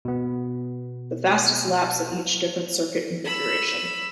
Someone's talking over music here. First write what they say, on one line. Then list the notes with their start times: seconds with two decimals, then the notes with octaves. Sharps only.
The fastest laps at each different circuit configuration.
0.05 B2 B3
3.24 B5 E6